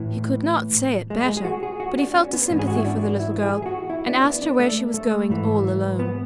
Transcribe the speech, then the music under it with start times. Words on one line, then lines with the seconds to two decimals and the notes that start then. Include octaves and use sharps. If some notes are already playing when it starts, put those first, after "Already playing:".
He could not say it better; but he felt a sympathy for the little girl, and asked her where she was going all alone.
Already playing: A2 E3
1.10 G#3
1.28 G#3
1.37 G#4
1.45 F#4
1.63 G#4
1.80 F#4
1.98 D4
2.15 C#4
2.33 B3
2.49 G#2 E3 C#4
2.59 G#4
2.68 F#4
2.76 E4
2.85 D4
3.20 E4
3.43 G#4
3.62 G#4
3.66 F#4
3.90 E4
4.07 D4
4.24 B3
4.42 D4
4.59 A3
4.94 A3
5.29 G#2 E3
5.99 B3